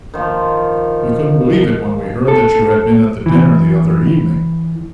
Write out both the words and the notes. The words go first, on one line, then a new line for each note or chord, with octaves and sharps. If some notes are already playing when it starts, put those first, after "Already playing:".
We couldn't believe it when we heard that you had been at the dinner the other evening.
D#3 F3
A4
E3